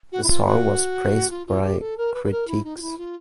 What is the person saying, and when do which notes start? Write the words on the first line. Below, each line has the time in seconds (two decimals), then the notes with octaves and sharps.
The song was praised by critics.
0.12 F#4
0.23 E4
0.28 F4
0.45 F#4
1.30 F4
1.47 F4
1.62 G4
1.80 A4
1.97 A#4
2.13 B4
2.24 B4
2.31 A#4
2.47 E4
2.63 D#4
2.76 F4
2.81 E4
2.97 F4